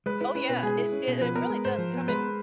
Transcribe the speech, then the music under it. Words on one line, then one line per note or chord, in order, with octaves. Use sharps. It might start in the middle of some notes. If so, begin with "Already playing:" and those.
Oh yeah, it it it really does come in,
G#3 B4
E4 B4
C#4 B4
B2 B4
G#3 G#4
E4
C#4
B2
F3 B4
B3 A#4
G#3
G#2 C5
F3
B3
G#3 B4